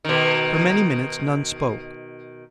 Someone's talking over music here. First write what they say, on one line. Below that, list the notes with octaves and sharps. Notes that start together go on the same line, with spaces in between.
For many minutes none spoke.
B2 D#3